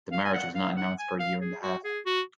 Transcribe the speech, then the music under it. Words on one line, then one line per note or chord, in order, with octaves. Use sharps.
The marriage was not announced for a year and a half.
F5
G#5
F#5
F5
F#5
G#5
F5
G#4
F#4
G#4
F#4